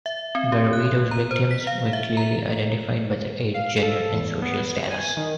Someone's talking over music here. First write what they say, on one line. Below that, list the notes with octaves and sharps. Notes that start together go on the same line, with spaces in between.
Garavito's victims were clearly identified by their age, gender and social status.
E5
C4
G4
F#6
A#5
C5
B6
F5
E5
A#5
F5
A4
E2
B3
G#5
D#3